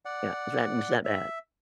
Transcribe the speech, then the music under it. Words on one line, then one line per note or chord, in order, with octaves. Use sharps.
Yeah. It's that it's that bad,
D5 F#5
E5